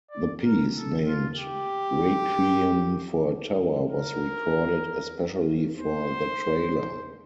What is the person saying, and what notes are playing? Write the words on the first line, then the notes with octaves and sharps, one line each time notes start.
The piece, named "Requiem for a Tower", was recorded especially for the trailer.
D5
A#4
A4
F4
G4
A#4
C5